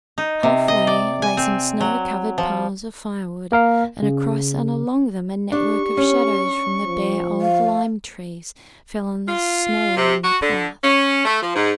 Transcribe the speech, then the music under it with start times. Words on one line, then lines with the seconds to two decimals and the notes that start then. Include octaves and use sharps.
Halfway lay some snow-covered piles of firewood and across and along them a network of shadows from the bare old lime trees fell on the snow and on the path.
0.18 D#4
0.43 C3
0.68 D#5
0.87 D5
1.22 G#5
1.37 C4
1.81 F#3
2.38 F3
3.52 A#3 A#4 F5
4.02 C#3
5.52 D4 G4 C#6
5.97 C#4
6.82 F3
7.41 F5
9.28 F4
9.97 C3
10.24 F#4
10.41 D3
10.84 C#4
11.25 A3
11.42 F3
11.55 G#2